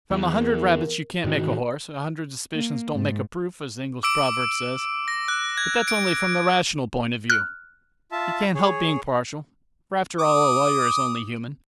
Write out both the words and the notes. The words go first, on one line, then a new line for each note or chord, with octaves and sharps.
From a hundred rabbits you can't make a horse, a hundred suspicions don't make a proof, as the English proverb says, but that's only from the rational point of view--you can't help being partial, for after all a lawyer is only human.
E2
A#4
G#2 D#3 E3 F#4
A#3
G#2
D6 E6 D7
A#6
F#6
G#6
D7
F6 F#6
F4 E5 A5
G#4 C#5
D6 D#6